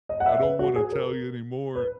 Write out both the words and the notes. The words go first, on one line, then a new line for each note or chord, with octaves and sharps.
I don't wanna tell you anymore
D#5
F#5
E5
B4
F#4
G#4
A#4
B4